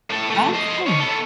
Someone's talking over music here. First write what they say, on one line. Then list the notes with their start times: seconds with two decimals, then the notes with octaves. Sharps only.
Oh, fun.
0.10 A2 A4
0.30 F3 A3
0.54 C5 D#5
0.86 D#4 C#5
1.00 B3 A4